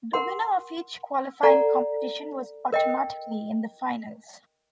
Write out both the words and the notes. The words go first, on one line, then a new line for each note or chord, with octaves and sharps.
The winner of each qualifying competition was automatically in the finals.
A#4 F#5 C6
A4 D5 F#5 A#5
A#4 D#5 G5